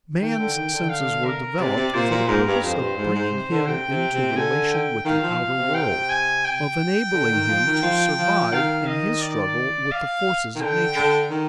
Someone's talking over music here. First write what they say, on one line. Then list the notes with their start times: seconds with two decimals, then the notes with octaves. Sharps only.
Man's senses were developed for the purpose of bringing him into relation with the outer world, of enabling him to survive in his struggle with the forces of nature.
0.21 D#3 G5
0.38 D3
0.56 D#3
0.73 D3
0.89 F5
1.25 A#4
1.60 C3 D5
1.77 C3
1.94 A#2 C5
2.11 A#2
2.28 G#2 A#4
2.46 G2
2.63 F2 C5
2.80 G2
2.97 G#2
3.15 G#2
3.32 C3
3.50 D3
3.67 C3 G5
3.90 C3
4.13 C3
4.32 C3
4.36 D3 G#5
4.71 G5
5.05 D#3 F5
5.23 F3
5.58 C3
5.74 G5
6.09 G#5
6.45 G5
7.13 D3
7.31 D#3
7.48 F3
7.66 D#3
7.82 F3
8.18 F3
8.52 D#3 F5
8.87 D#5
9.21 D5
9.91 F5
10.55 D#3
10.61 D3 G5
10.96 D3
11.30 D#3